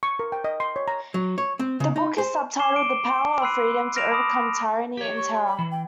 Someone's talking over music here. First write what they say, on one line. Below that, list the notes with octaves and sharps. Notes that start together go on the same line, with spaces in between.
The book is sub-titled, The Power of Freedom to Overcome Tyranny and Terror.
C#6
A#4
G5
D#5
C6
C#5
A#5
F#3
C#5
C4
C#3
D#4
C5
D6 C7 E7 G7
D7
B5 C6 E6 F#6 C7 D#7
F6 A#6 D7 E7 F7
A5 B5 D6 D#6
G4 C#5
C#6
C6
B5
E3
G5